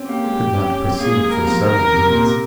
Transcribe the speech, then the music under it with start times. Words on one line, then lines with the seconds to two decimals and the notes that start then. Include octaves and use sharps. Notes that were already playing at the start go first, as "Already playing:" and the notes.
He could not proceed for several minutes.
Already playing: C4 C#4
0.09 A#3 G4
0.24 G#3
0.55 C#4
0.70 C#4
0.85 C4
1.00 A#3 G#4
1.16 G#3
1.32 G3 A#4
1.47 F3
1.62 D#3 A#4
1.79 C#3
1.93 C3
2.09 A#2
2.25 C3